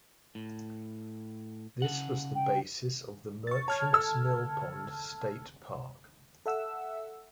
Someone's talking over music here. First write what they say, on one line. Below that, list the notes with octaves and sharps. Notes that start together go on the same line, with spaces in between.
This was the basis of the Merchants Millpond State Park.
A2
C#3 F#5
G5
C#6 A6
C#5 A5 F6 G#6
A4 E6
A4 E5 F#5 E6